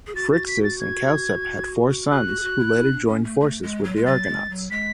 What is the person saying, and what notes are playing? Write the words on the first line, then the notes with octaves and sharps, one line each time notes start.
Phrixus and Chalciope had four sons, who later joined forces with the Argonauts.
G#4
F#4 A6
A6
B6
A6
G#6
F#4 F#6
F#4
G#4
F#4
E4
E4
D4
B3
C#4
A3
A3
G#3
F#3
G#3
F#3 A6
G#3
F#3
G#3 B6